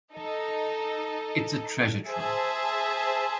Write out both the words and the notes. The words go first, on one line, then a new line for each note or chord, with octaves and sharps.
It's a treasure trove.
D#4 A4 D#5
G#4 C5 E5 A5